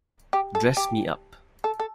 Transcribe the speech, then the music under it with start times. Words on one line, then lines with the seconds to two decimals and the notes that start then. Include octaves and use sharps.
Dress Me Up!
0.33 G4
0.55 A4
0.77 G4
1.64 A4
1.80 A4